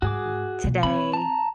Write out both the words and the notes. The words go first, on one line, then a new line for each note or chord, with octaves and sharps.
Hmm, today
G#2 F#4 G#4 D6
B2 A#3
C4 C#5 B5
A5 A#5